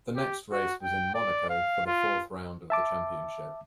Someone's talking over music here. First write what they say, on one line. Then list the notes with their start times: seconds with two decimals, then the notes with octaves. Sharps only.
The next race was in Monaco for the fourth round of the Championship.
0.16 G4
0.52 F#4
0.83 G5
1.15 D5
1.50 F5
1.87 F4
2.70 E5 A5 D6